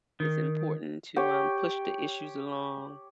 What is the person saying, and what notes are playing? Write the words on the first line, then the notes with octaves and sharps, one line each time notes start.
is important to, um, push the issues along
D#3
G4 C#5 G5